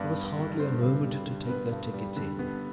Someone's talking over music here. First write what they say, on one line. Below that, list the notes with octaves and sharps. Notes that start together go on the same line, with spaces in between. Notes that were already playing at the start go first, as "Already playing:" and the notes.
There was hardly a moment to take their tickets in.
Already playing: G2 B3 D5
G3
D3
B3 C5
G2
G3
D3
B3 B4
G2
G3
D3
B3